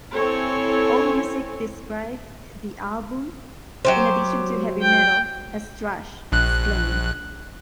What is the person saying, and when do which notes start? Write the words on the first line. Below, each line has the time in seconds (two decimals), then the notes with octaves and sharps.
Allmusic described the album, in addition to heavy metal, as thrash, Exclaim!
0.14 C4 E4 A4 C#5 G#5
3.85 F#3 G4 C5
4.82 G5
6.32 A#1 F#6